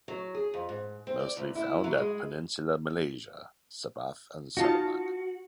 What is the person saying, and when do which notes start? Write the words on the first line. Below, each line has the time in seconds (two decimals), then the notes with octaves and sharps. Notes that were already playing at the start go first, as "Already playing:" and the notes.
Mostly found at Peninsula Malaysia, Sabah and Sarawak.
0.08 F#3
0.35 G#4
0.54 F2
0.69 G#2
1.07 C4
1.20 D5
1.37 D2
1.55 E4
1.84 F#3
1.98 G#3
4.57 D#4 F4 F#4 A5